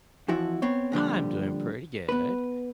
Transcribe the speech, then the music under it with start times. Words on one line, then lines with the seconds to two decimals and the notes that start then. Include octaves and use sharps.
I'm doing pretty good.
0.28 F2 E3 F3 E4 F#4 E5
0.62 B3 C4 C#5
0.92 A#2 D3 F3 G3
2.09 B3 B4